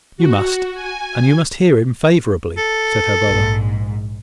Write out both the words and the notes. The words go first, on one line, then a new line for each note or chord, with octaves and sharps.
"You must; and you must hear him favourably," said her brother.
F#4
G#5
A4
A#1 G#2